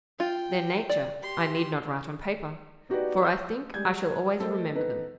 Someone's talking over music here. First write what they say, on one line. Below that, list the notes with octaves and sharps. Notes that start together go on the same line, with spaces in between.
Their nature I need not write on paper, for I think I shall always remember them.
F4 G5
D5
G4 C6
B3 D#4 F#4 G4 B4 D5
E6 G6
G3 G#3 G6 G#6
A3 A4 A#4 C5 D#5
B3 D#4 A4 B4